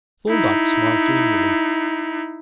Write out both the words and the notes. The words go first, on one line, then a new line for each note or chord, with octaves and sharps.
Thorndyke smiled genially.
D#4 E4